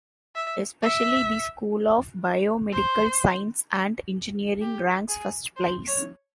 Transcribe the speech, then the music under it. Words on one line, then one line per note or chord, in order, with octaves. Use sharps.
Especially the School of Biomedical Science and Engineering ranks first place.
E5
E5
C5
G4
G#4
C5
C#5